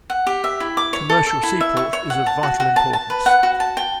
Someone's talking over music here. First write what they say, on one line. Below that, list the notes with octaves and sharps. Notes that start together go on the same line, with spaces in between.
Commercial seaport is of vital importance.
F#5
G4
E5
E4
D6
C#5
A4
A4
E4
E5
C#6
C#5
F#5
A5
F#4
F#4
A5
A5
B4
F#5
F#4
A5
G5